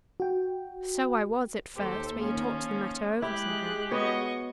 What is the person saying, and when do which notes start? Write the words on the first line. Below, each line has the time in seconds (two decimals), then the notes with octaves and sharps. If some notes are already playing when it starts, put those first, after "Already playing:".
"So I was, at first, but he talked the matter over somehow."
0.20 F#4 G5
1.77 D#2 G4 A4 C5
2.21 F3 C#4
3.22 G#3 E4 G4 G#4 F#6
3.91 B3 F#4 C#5 D#5 C#6